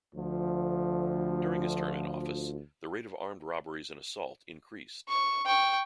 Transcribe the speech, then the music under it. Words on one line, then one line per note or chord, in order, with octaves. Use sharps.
During his term in office the rate of armed robberies and assault increased.
D2 F3
C#6
G5 C#6